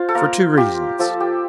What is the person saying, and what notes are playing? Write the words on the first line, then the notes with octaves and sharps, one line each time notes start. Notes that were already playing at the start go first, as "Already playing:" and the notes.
"For two reasons."
Already playing: F4 C5
A4
A#3 A#4
F4 G4
F3 A4
G4